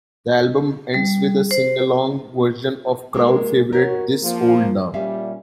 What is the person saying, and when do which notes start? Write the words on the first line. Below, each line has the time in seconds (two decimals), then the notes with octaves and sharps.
The album ends with a singalong version of crowd favourite 'This Old Love'.
0.94 G3
1.51 C5
3.14 G#3 A#3 A#4
3.73 D#2 F#4 A#4 C#5
4.22 F3 A#3
4.94 A#2 G3 C#4 E5 F5